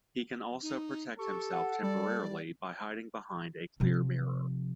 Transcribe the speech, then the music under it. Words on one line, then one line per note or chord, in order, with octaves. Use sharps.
He can also protect himself temporarily by hiding behind a clear mirror.
D#4
G4 A4 C#6
F#5
G3 D5
C3 F3